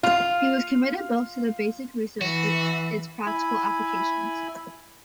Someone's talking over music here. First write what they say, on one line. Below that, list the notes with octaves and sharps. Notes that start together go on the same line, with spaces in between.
He was committed both to basic research and its practical applications.
F4 F5
E3 F#4
E4 G#5 B5